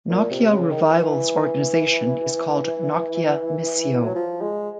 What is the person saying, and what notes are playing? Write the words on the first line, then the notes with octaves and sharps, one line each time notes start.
Nokia revival's organisation is called "Nokia Missio".
A#2
C3
C#3
D#3
E3
F#3
F3
G#3